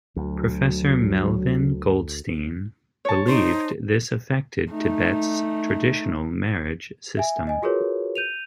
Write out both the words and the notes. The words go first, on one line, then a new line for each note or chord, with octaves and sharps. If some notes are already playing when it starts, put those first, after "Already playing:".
Professor Melvyn Goldstein believed this affected Tibet's traditional marriage system.
D2 F#3
C#5 A5
D#4 C5
A3 D#4
E5 G#5
D#5 G#5
F4 F#4 G#4 A#4 B4 C#5
G6 D#7 F7